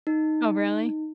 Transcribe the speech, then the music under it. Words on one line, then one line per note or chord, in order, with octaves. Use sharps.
Oh, really?
D#4